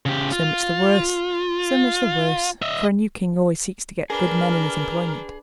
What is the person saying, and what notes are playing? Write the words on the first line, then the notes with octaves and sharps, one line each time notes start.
"So much the worse! so much the worse! for a new king always seeks to get good men in his employment."
C#3 G4
F4
D#5 E5
D4 G#4 A#4 B4